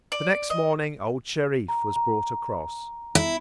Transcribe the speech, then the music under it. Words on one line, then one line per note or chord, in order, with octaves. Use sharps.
The next morning old Shereef was brought across.
D5
D#5
A#5
A#5
E4